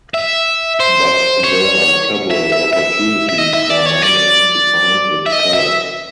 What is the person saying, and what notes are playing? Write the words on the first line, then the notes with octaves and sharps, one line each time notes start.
But there are several opportunities for Myname to find its colors.
E5
C5
C#5
E5
E5
E5
E5
D#5
E5
D5
C#5
D5
E5
D#5
E5